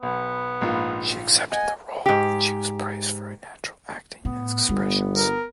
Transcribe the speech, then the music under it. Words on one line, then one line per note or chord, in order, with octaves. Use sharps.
She accepted the role and she was praised for her natural acting and expressions.
B1 B3
A#1 G#2 F4
D#5 F#5 G#5
G#2 G4
A2 B3
G1 G3
A#4